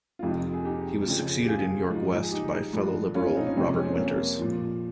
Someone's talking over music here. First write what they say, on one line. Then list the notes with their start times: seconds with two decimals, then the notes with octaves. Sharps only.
He was succeeded in York West by fellow Liberal Robert Winters.
0.19 F4
0.23 F2 C3 F3 D#4 G4
0.54 G#4
0.64 D#4 G4
1.06 F2 C#3 F3
1.43 G4
1.48 F4 G#4
1.91 G#2 F3
2.23 G#4
2.31 D#4 G4
2.73 G2 F3
3.14 C#4 F4
3.35 C4 D#4
3.47 C#4
3.56 F2 C3 F3 G#3 C4
3.78 C#4
3.85 C4
3.93 A#3 C#4
4.39 A#2 F3